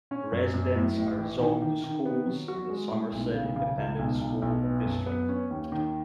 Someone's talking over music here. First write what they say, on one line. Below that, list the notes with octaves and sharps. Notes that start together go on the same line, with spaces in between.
Residents are zoned to schools in the Somerset Independent School District.
C#4
F#2
F#2
A2
A1
E3
D#3
D#3
D#3
B3
F#3
F#4
G#3
A2
B1
C#3
C#3
C#2
B1
B1
B1
B3
F#2
B3
C#4
D#2
D#3